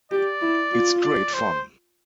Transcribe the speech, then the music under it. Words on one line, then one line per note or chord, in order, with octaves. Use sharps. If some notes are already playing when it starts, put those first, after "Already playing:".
It's great fun.
G4 D5
E4
F4
D5
C5